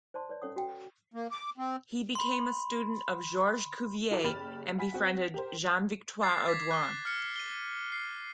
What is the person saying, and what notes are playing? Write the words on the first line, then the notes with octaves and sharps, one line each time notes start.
He became a student of Georges Cuvier and befriended Jean Victoire Audouin.
C5 D5 A5 C6
B4 C#5 D5
C#4 A4 C#5 F#5 D#6
F#4 F#5 G5
A#3
D6
C4
B5 C6
E4 F#4 A4 A#5 D6
F#1 G4 B5 F6 A6 E7
F#5 G#5 B5 B6
C4 F#4 F#5
G4 A#4 C5
D6 G#6 A6 C7
D6 A6 B6
F#6 G7
F6 C#7
D#7 G7
C7